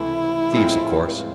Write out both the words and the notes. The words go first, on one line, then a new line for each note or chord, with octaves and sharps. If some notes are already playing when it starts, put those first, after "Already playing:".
Thieves, of course.
Already playing: C#2 C3 E3 A3 E4
A2 F3 G#3 C4 F4